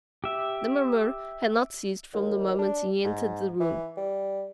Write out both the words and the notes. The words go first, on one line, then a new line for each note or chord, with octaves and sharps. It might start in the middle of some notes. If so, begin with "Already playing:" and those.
The murmur had not ceased from the moment he entered the room.
G4 E5
D#2
D4
G#2
E3
G3